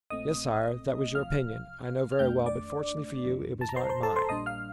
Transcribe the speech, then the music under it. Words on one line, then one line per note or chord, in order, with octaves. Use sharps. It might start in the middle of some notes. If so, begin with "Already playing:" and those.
"Yes, sire, that was your opinion, I know very well: but, fortunately for you, it was not mine."
A#1 A#2 A3 C4 D#5 D#6
C2 C3 F3 F5 F6
F6
F2 D#3 A3 D4 G5 G6
D5 D6
F2 D3 F3
A5
A#5
C5 C6
C5 C6
A4 A5
C5 C6
A#1 A#2 G3 D4 D#5 D#6
F5 F6